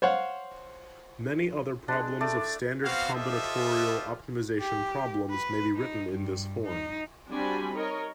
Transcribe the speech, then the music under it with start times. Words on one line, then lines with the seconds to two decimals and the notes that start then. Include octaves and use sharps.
Many other problems of standard combinatorial optimization problems may be written in this form.
0.02 C5 C#5 F5 F#5
1.88 G#3 D4
2.21 A3 D5
2.84 B3 C4 F#4 C5 F5
3.14 F4 G4 A4 C5 D#5 E5
4.59 G4
5.30 B4
5.76 D#4
6.12 G2
6.65 D#4
7.28 G3 C4 D4 F#4 G#5 B5
7.73 D#4 A#4 C#5 D#5